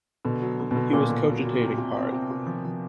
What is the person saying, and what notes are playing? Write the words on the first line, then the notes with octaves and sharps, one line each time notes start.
He was cogitating hard.
B2 D3
F#3
D3
B2
D3
A#2 F#3
D3
F#3
F#3
C3
C3
C4
C3
C3
F3
F3